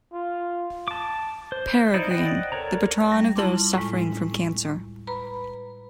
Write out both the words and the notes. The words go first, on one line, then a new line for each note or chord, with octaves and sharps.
Peregrine, the patron of those suffering from cancer.
F4
A5 D6
C5
D#4 E4 D5
C5 D5 D#5 F#5 G5
A4 A#4 C#5 D5 A#5
G3
E4 F4 A5 C6 D6
A2 G#3
B4 A#5 B5